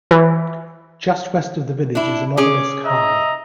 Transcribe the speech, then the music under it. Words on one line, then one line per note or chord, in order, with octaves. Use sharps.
Just west of the village is an obelisk high.
E3
D4 E4
C#4 G#4 D6
D#5 E5 A#5